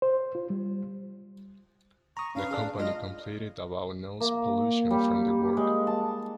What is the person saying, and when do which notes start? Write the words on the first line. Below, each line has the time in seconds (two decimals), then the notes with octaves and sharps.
The company complained about noise pollution from the work.
0.02 C5
0.35 F4
0.50 G3
2.17 A#5 C#6 D#6
2.35 C#4 D4 B4 F5
2.51 D4 G#4
2.78 G#3 F4 D#5 F6
4.20 A#3
4.90 G3
5.57 G#3
5.87 A5